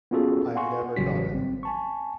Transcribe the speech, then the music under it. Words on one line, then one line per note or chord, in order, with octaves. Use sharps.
I’ve never got it.
B3 C#4 F4 F#4 G#4 A4
F5 F#5 G#5 C6 C#6
A1 C#3 F#3 G3 F#4 B6
G#1 C4
G#5 A5 C#6